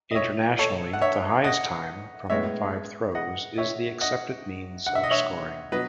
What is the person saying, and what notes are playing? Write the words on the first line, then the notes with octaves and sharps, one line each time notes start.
Internationally, the highest time from the five throws is the accepted means of scoring.
D#5
C#5 E5
A4 C#5
F#5
C#5 E5
D#5 F#5
A2 G#3 B3 C#5 E5
D#5 F#5
C#5 E5
D#5 F#5
F#5
E5
D#5
C#5 E5
F#3 B3 B4 D#5